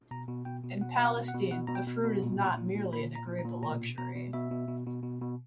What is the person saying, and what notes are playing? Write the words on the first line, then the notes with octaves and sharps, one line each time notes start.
In Palestine, the fruit is not merely an agreeable luxury.
B2 A#5
B2
B2 G5
B2
B2 F#5
B2 E5
F#5
B2
F#5
B2
B2 F#5
B2 A#5
G5
B2
B2
A#2
A#2
A#2
A#2
A#2 B5
A#2 A#5
A#2
A#5
A#2
B2 A#5
B2
B2 A#5
B2
B2 E5
B2
B2
B2
B2
B2